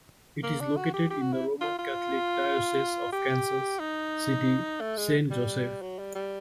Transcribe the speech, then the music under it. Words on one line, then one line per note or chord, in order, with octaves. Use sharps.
It is located in the Roman Catholic Diocese of Kansas City-Saint Joseph.
A#3
D4
F#4
G4
G4
F#4
E4
F4
F4
G4
D#4
A3
G#3
G3
F#3
G3
G3